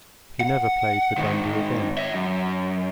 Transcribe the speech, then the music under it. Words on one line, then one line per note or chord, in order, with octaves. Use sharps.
He never played for Dundee again.
F#5
G#2 D#3
C#5 E5
F#2